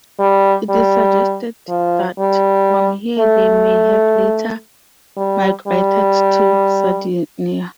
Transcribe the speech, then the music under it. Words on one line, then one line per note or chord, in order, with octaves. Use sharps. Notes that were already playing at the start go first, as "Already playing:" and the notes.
It is suggested that from here they may have later migrated to Sardinia.
G3
G3
F3
G3
A3
G3
G3